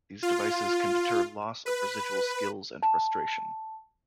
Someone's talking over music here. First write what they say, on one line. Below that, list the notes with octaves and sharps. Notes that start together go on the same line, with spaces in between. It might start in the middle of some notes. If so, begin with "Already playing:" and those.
These devices can deter loss of residual skills and frustration.
F4
B4
A5